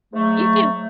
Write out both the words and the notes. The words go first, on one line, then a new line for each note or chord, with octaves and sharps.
You too.
G#2 F#3 A3